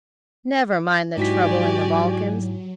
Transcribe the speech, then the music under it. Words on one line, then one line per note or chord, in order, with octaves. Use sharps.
'Never mind the trouble in the Balkans.
G#2 F#3 E4 F#4 G4 D5 G#5 B6